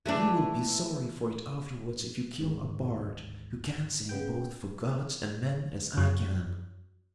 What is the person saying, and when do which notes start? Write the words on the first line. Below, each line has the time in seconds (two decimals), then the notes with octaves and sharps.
You will be sorry for it afterwards if you kill a bard who can sing both for gods and men as I can.
0.06 E3 A3 D4
2.41 G#1 D2 G#2
4.09 C#3 B3 G5
5.97 F#2